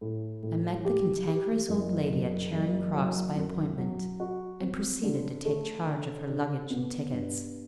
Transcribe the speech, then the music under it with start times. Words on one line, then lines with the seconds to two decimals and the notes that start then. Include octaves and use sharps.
I met the Cantankerous Old Lady at Charing Cross, by appointment, and proceeded to take charge of her luggage and tickets.
0.01 A2
0.43 A2
0.85 G4
1.27 G4
1.68 F#1
2.10 F#1
2.52 F#1
2.94 F#3
3.36 F#2
3.78 F#3
4.20 F#4
4.61 C4
5.03 D3
5.45 A3
5.86 D3
6.29 D3
6.70 B3
7.12 G2